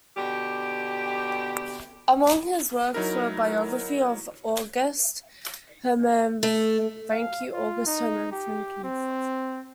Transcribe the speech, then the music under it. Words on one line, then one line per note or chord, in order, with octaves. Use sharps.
Among his works were a biography of August Hermann Francke, August Hermann Francke.
B2 D3 G4
F#3 D#4 E4 A#4
A3
F5
F4
D#4
G4
C4